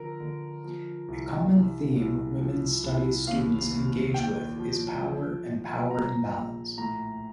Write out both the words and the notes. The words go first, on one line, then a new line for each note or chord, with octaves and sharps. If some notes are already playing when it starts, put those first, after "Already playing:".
A common theme Women's Studies students engage with is Power and Power Imbalance.
Already playing: D3 F3 A#4
D3
F3
C2
C2
C2
F3
C2
D#2 F5
D#2
A#2 G5
F3
F3
F3
A#2 A#5
A#1
A2 A#5